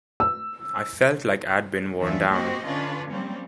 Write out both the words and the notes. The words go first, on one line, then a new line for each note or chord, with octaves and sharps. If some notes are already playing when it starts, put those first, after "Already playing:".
I felt like I'd been worn down.
E6
D#2 E3 C#4 D4 F4 E5
A#3 C4 F#4 G4 C5 D#5
D3 C#4 D4 F4 B4
F#3 G3 A#3 C4 C#4